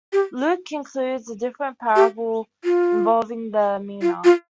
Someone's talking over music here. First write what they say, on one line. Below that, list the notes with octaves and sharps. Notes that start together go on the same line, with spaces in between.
Luke includes a different parable involving the mina.
G4
G4
F4
F4
F4